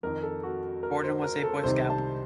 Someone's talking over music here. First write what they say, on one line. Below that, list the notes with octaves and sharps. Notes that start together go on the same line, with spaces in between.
Gordon was a Boy Scout.
F2 D#3 A#4
A4
F#4
A#4
C5
A#4
A4
C2 C3 D#3 C5
A5